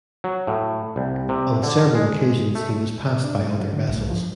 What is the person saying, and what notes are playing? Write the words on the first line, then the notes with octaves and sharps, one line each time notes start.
On several occasions he was passed by other vessels.
F#3
A2
C2
C3
D3
G#3
A3
D4
G#2
F#3
D3
B1
F3